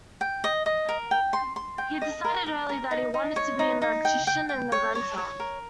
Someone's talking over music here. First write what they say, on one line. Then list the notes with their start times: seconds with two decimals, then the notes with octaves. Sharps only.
He decided early that he wanted to be an electrician and inventor.
0.21 G5
0.44 D#5
0.66 D#5
0.89 A#4
1.11 G5
1.33 C6
1.56 C6
1.78 G5
2.02 D#5
2.24 A#4
2.46 A#4
2.69 A#4
2.91 D#4
3.14 D#4
3.36 C#5
3.59 D#4
3.82 D#4
4.05 G5
4.27 G5
4.49 G5
4.72 C#5
4.95 C#5
5.18 C#5
5.40 A#4